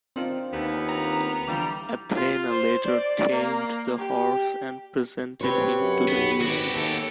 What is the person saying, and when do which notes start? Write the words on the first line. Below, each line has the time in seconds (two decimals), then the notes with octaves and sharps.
Athena later tamed the horse and presented him to the muses.
0.16 D#3 C4 D4 F4
0.53 D#2 B3
0.89 A#5
1.48 D3 E3 F3 G3 B3 D5
2.15 F4
2.50 C5
2.86 D5
3.32 A#3
3.98 G4
5.41 C3 C4 G4 B4 C#5
5.78 F#2 F#5
6.08 B1 B3
6.41 G#1 B3 F#4 G4
6.74 D#2 A4 C#5